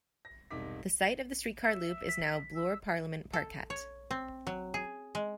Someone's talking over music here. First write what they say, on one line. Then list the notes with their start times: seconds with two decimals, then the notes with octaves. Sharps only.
The site of the steetcar loop is now Bloor - Parliament Parkette.
0.25 A#6
0.51 E1 G2 C3 D#4 D6 B6
1.61 E5
2.09 B6
2.54 E6
3.33 A4
3.70 C#5
4.11 C4
4.47 F#3
4.74 G#4
5.15 G#3